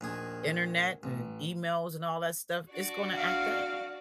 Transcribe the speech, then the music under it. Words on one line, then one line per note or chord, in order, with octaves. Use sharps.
Internet and emails and all that stuff, it's gonna act up.
A#1 D#2 G#4
A1
D4 F#4 D5
F5